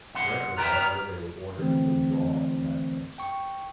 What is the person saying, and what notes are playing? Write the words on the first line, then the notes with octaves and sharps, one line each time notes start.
Directly, however, they were ordered to withdraw from that place.
B1 F#5 C6
B3 B4 G5 A#5 F6
D3 E3 A3 C4
G5 C#6